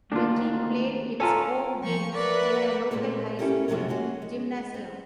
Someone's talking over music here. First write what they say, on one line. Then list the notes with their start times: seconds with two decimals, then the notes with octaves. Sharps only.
The team played its home games in a local high school gymnasium.
0.12 D2 D#3 A#3 D4 F4
1.20 F4 A4 C#5 G#5 A#5
1.80 F3 C#6
2.13 A#4 B4 D5 E5 F#5
2.91 A#2 G#3 A#3 C4 F4 A4
3.39 C#4 E4 G4 A4 A#4
3.68 F#2 C3 D#3 F3 F#3 G#3
3.88 G#3 A#3 C#4 F#4
4.22 G#3
4.74 C4